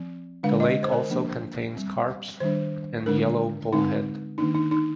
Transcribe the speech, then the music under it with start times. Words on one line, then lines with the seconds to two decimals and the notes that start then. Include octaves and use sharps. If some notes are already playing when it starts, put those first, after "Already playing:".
The lake also contains carps and yellow bullhead.
Already playing: F3 C4
0.43 D3 G#3 D4 F5
0.60 D#5
0.83 C5
0.92 A#4
1.10 F3 A#3 D4
1.75 G3 C4
2.40 D#3 G3 D4 C5
3.06 D3 G#3 D4 A#4
3.73 D3 G#3 C4 D#4
4.38 D#3 A#3 D4 D#4
4.54 D#4
4.71 D#4